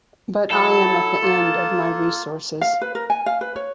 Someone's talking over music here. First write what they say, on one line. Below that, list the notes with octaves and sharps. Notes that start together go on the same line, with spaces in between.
But I am at the end of my resources.
F#3 E4 A4
A#3 F4
F5
B4
A#4
G#5
F5
B4
C#5